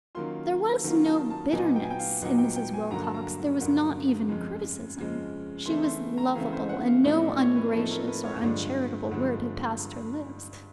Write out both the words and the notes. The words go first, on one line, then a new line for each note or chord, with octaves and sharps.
There was no bitterness in Mrs. Wilcox; there was not even criticism; she was lovable, and no ungracious or uncharitable word had passed her lips.
D#3 F#3 A#3 C#4 F4 C6
D#3 F#3 A#3 C#4 F4
A5
A5
A#2 F#3 B3 D#4 G#5
G5
G#5
G5
F5
A#2 F#3 B3 D#4 F#5
G5
G5
G#5
G2 D3 F#3 A#3 A#5
A5
A#5
G2 D3 F#3 A#3
F2 C#3 F3 G#3
F2 C#3 F3 G#3
C#3 E3 A3 C4 E4 C6
C6
A#5
C#3 E3 A3 C4 E4 F5
C5
F#5
F5
A2 F3 A3 C4 D#4 D#5
D5
C#5
B4
A2 F3 A3 C4 D#4 A4
A#4
B4
C#5
G2 D3 F3 G#3 D5
G2 D3 F3 G#3